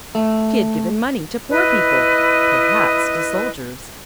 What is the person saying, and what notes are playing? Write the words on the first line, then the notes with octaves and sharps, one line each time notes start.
She had given money to poor people, perhaps to soldiers.
A3
E4 B4 D#5